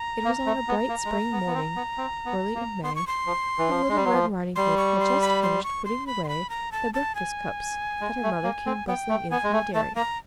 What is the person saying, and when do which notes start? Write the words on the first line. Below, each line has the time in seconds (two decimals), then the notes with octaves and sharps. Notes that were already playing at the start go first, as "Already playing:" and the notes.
It was on a bright spring morning early in May, when little Red Riding-Hood had just finished putting away the breakfast-cups that her mother came bustling in from the dairy.
Already playing: A#5
0.25 A#3
0.46 A3
0.68 B3
0.89 A#3
1.05 G#3
1.11 A3
1.32 B3
1.46 B3
1.54 C4
1.76 B3
1.98 C4
2.26 B3
2.55 A#3
2.83 B3 C6
2.96 C#6
3.07 C6
3.26 F3
3.58 E3
3.69 F3
3.89 G#3
3.97 G3
4.05 F#3
4.13 F3
4.56 G3 C6
4.78 C#6
4.99 C6
5.21 B5
5.43 C6
5.64 C#6
5.85 C6
6.07 B5
6.24 C6
6.28 B5
6.50 A#5
6.72 A5
6.94 A5
7.15 G#5
8.01 G#3
8.23 A3
8.44 A#3
8.66 C4
8.87 B3 G5
9.09 A3
9.30 B3 G#5
9.44 G#3
9.53 A3
9.73 A3 A5
9.95 A#3 A#5